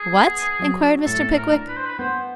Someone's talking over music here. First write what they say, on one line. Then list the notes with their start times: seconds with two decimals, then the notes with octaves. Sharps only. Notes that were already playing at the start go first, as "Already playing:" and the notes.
'What?' inquired Mr. Pickwick.
Already playing: G#4
0.12 B3
0.59 F#3
1.06 A2 A4
1.37 A#4
1.52 D4
1.68 B4
1.77 C5
1.85 B4
1.99 B3 C5